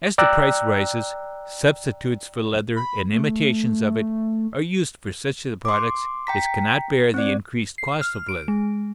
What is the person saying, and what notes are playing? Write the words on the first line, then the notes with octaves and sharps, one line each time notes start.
As the price rises, substitutes for leather, and imitations of it, are used for such of the products as cannot bear the increased cost of leather.
D5 G5 A#5 E6 F#6
B5
A3
C6 D6
G5 A#5 B6
C4 D5
C7
F6
D7
G#3